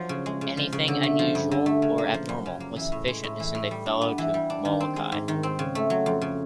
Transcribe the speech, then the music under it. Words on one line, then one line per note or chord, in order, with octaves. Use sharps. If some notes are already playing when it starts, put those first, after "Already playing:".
Anything unusual or abnormal was sufficient to send a fellow to Molokai.
Already playing: F3 F#3
C#3
G#3
C#3
F3
C#3
D3
A3
F3
G2
D3
A3
C#3
A#3
F3
F#2
C#3
A#3
E3
A2
G#3
A2
E3
A2
G3
D4
B3
E3
G3
D4
D#3
C4
G#3
G#2
D#3
C4
C#3
A3
F#3
F2
C#3